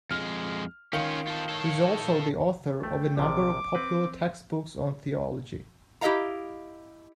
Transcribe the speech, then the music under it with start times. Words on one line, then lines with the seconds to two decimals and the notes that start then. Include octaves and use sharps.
He is also the author of a number of popular textbooks on theology.
0.11 F2 G#3 F6
0.93 D#3 C#4 F4 F5 C#7
1.27 F4 A4
1.49 A4 C#5
2.83 A3 G5
3.17 A#1 C3 F3 D6
3.75 C4 B4
6.01 E4 G4 A#4 D#5 F5 A#5